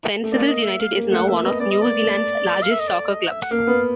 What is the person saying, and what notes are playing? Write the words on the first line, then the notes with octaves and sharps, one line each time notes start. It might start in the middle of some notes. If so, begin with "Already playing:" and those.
Fencibles United is now one of New Zealand's largest soccer clubs.
A3
A#3 D5
D#5
E5
F5
A#3
A3 F#5
A#3 E5
B3 D#5
B3 D5
D#5
A#3 D5
A3
F5
E5
D#5
D5
D#5
E5
F#5
A#3 F5
B3